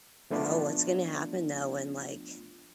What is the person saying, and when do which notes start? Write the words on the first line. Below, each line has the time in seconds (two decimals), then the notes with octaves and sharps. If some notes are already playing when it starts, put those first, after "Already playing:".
Bro, what's gonna happen though when, like
0.30 F3 A3 B3 D4 F4